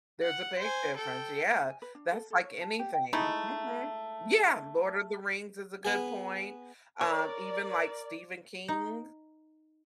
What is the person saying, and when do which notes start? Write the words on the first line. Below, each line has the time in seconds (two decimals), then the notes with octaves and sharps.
There's a big difference, yeah, that's like anything, mhm Yeah, Lord of the Rings is a good point, um, even like Stephen King's,
0.22 F#5
0.58 C5 G#5
0.96 A4 G5
1.69 G#5
1.82 B4
1.95 D4
2.12 A4
2.30 A4
2.43 C#5
2.61 A5
2.79 G4
2.94 G5
3.13 G#3 A3 D#4 E4
5.85 B3 G#4
7.01 A#4 C#5 D5
8.68 D#4